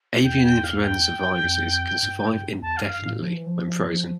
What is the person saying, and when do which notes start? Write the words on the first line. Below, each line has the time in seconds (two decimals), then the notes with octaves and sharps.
Avian influenza viruses can survive indefinitely when frozen.
0.24 E2 G5
0.44 G5
0.64 F5
0.84 G5
1.44 F2
2.03 G2
2.62 E2 A5
2.77 F5
2.82 G2
2.92 F5
3.02 A2
3.22 F3
3.34 E3
3.46 F3